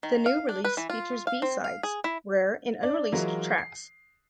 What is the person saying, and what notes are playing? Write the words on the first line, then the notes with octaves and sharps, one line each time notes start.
The new release features B-sides, rare and unreleased tracks.
D#3
F5
D4
B4
E3
F4
F5
C4
F5
G#4
E4
D4 D5
E3 F#3 G#3 F4 F#4 A#4
C7